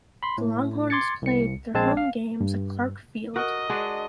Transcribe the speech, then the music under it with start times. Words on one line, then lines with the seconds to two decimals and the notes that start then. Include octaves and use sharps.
The Longhorns played their home games at Clark Field.
0.23 B5 C6
0.38 A2
0.90 C6 D6 G#6 A6 C#7
1.22 C2 C#7
1.74 A#1 G#3 C4 A5 G#6
1.97 F5
2.41 G2
3.36 F#4 A#4 D#5
3.70 G#3 D4 F#4